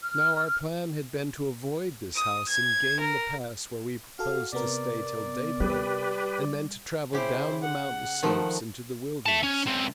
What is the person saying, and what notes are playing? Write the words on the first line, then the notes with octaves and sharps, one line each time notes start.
Now, our plan had been to avoid this house and gain the pass, where we proposed to stay till daybreak, and then to travel down the mountain slopes into the wilderness.
F6
D#6
G#6
A#4
F#4 A4 F5
C3 B3 A#4 D5
G3 G4 B4
C#3 E4 G4 C5
F#5
D#3 F3 A3
E5 A5
C#4
C#2 C4